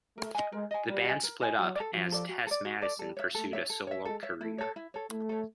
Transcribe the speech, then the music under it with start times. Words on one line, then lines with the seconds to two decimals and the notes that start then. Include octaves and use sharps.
The band split up as Tess Mattisson pursued a solo career.
0.17 A3 A#4
0.35 D#5 G#5
0.52 G#3 A#4
0.71 D#5 G#5
0.88 G3 A#4
1.05 D#5 G#5
1.23 A#4
1.42 D#5 G#5
1.59 F#3 F#4
1.76 D5
1.80 A4
1.93 F3 F#4
2.12 A4 D5
2.29 F#4
2.47 A4
2.51 D5
2.65 F#4
2.82 A4 D5
2.99 G3 A4
3.17 C#5 E5
3.35 A3 A4
3.53 C#5 E5
3.70 A4
3.87 C#5 E5
4.05 G#3 A4
4.23 C#5 E5
4.41 A3 E4
4.58 A4 C#5
4.76 E4
4.94 A4 C#5
5.11 A3 E4
5.29 A4 C#5